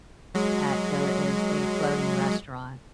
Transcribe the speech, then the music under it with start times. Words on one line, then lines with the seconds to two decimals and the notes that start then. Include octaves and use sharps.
at there is a floating restaurant
0.35 F#3 G#3